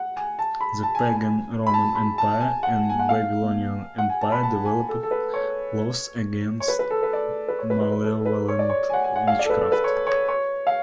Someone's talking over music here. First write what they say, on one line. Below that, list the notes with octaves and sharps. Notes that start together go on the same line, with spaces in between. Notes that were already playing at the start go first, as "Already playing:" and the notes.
The pagan Roman Empire and Babylonian Empire developed laws against malevolent witchcraft.
Already playing: F#5
G#5
A5
B5
A5
G#5
G#5
G#5
B5
A5
B5
A5
G#5
F#5
G#5
F#5
F5
F#5
G#5
A5
B5
A5
G#5
A4
A4
B4
C#5
C#5
B4
B4
A4
B4
D5
B4
C#5
B4
B4
B4
A4
B4
C#5
D5
C#5
G#5
F#5
G#5
F#5
F5
D5
A4
B4
A4
B4
C#5
C#5
C#5
F5